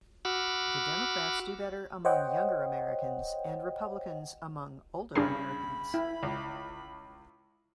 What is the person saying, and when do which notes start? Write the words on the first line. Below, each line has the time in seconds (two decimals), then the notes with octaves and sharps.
The Democrats do better among younger Americans and Republicans among older Americans.
0.25 F#4 F#5 B5 D6 E6 F6
2.05 C5 C#5 D#5 F#5 G5
5.15 G2 C#3 D4 G#4 B5 C6
5.94 E4
6.23 C#2